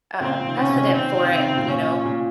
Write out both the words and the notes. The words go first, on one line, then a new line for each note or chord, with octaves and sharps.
um, precedent for it, you know,
A#2 C#3 C4
F3
C3 D#3
C#4
C3 D#3
C3 D#3 C4
D#3
C#3
C3
A#2 C#3
A#2 C#4
A#2